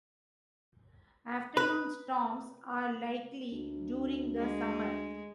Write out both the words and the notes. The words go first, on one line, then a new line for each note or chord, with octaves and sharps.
Afternoon storms are likely during the summer.
B4
D2
G#3